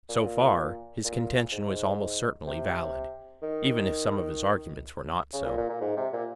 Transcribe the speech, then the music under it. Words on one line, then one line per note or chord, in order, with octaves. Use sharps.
So far, his contention was almost certainly valid, even if some of his arguments were not so.
A#2
A#2
G#2
C3
D#3
C#3
A#2
A#2
A#2
G#2
C3
A#2